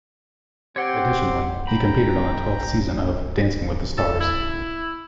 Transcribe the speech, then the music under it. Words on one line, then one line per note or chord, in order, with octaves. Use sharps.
Additionally, he competed on the twelfth season of "Dancing with the Stars".
C4 G4 C#5 F#5 G5 C6
G5 A#5 B5
A4
E4